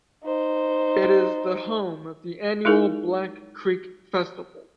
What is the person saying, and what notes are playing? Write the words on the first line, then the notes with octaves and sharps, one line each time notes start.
It is the home of the annual Black Creek Festival.
D#4 C5
G#3 D#4 E4 G#4 A#4